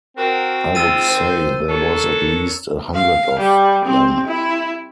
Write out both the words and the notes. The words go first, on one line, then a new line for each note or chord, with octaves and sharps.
I would say there was at least a hundred of them.
C4 F#4 A#4
G#3 D#4 F4 E6 A6 D#7
D#3 C5
D4 A4 A#4 C#5
F5
G3
C4
E4